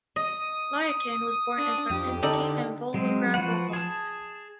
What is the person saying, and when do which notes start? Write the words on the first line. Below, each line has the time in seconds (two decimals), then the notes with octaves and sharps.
Lyachin was born in Sarpinsky in Volgograd Oblast.
0.16 D#5 D#6
1.57 D4
1.90 F2 G4
2.23 D3 D#4 A4 D5
2.94 F#3 G#3 C4
3.34 F3 F#4 B4 F#5
3.73 G#4 A5